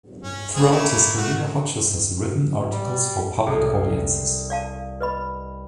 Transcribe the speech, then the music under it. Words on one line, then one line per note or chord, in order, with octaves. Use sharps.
Throughout his career Hodges has written articles for public audiences.
C#4
G#3 C4 G#4
A3 A#3 E4
A3 F#4
G3
C2 G#4 A4
D5 F5 A5
B4 D#5 B5